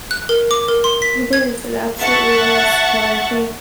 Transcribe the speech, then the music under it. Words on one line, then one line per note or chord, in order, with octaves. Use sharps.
It is, it absolutely is, and I think
F#6
A#4
D6
A#4
C6
B6
G#6
E5 F#5 A5 C#6